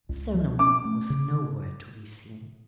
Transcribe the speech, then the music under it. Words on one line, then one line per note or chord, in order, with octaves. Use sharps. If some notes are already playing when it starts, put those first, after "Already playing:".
Solomon was nowhere to be seen.
C#2
F3
C#4 D6
A3
C#3